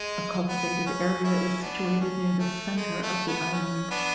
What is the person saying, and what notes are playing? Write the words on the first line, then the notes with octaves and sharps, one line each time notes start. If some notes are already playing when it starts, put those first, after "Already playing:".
A cultivated area is situated near the center of the island.
Already playing: G#3
B3
C#4
C#4 E4
B3 D4
C#4
A3
G#3
A3
B3
C#4
B3 D4